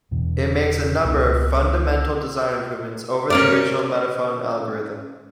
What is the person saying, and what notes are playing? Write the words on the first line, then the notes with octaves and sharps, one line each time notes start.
It makes a number of fundamental design improvements over the original Metaphone algorithm.
E2 B2 E3
C#2 G#3 B3 C#4
C#4 A#4 D5